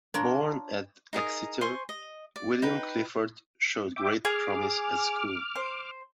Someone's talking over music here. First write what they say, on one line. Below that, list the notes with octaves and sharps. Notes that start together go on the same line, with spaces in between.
Born at Exeter, William Clifford showed great promise at school.
D4 F4 A#4 C#5 A#5
D#4 G#4 A#4 D#6
C5 G#5 C6 C#6
D#5
D5
D#4 B4 G5
E5 G5 D6
G#4 D6 F6
C5